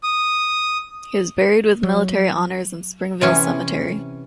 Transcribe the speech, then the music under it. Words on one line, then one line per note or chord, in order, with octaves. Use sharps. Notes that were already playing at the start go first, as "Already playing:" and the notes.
He was buried with military honours in Springvale cemetery.
D#6
F#3
C3 E3 C#4